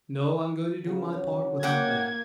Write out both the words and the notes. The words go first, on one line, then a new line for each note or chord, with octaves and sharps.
"No; I'm going to do my part without that."
C#3 B3
F#3 C#4 C#5
A#3 F#5 G5 D6 G#6